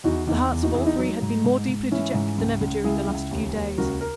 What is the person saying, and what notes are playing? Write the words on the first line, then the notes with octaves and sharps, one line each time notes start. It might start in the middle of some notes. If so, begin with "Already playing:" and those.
The hearts of all three had been more deeply dejected than ever during the last few days.
E2 D#4 F#4
E2 D#4
E2
D#4 F#4
E2 E4 G#4
D#4
F#3
G#2
G#2
G#2
E3 C#4 E4
G#2
C#2
C#2
C#2 E4 G#4
C#2
D#2
D#2
C#2 F#4 A#4
A#4